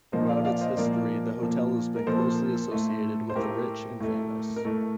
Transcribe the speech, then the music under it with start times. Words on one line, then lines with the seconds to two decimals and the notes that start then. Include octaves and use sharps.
Throughout its history the hotel has been closely associated with the rich and famous.
0.12 A#2 F3 A#3 C5 D#5
0.29 D5 F5
0.45 D5 F5
0.61 C5 D#5
0.77 A#2 F3 A#3 A#4 D5
1.42 A#2 F3 A#3
1.96 A#4
2.07 A#2 F3 A#3 A4 C5
2.71 A2 A3
3.30 C5
3.36 A2 A3 G4 A#4
4.00 A2 A3
4.56 A#4
4.65 A2 A3 A4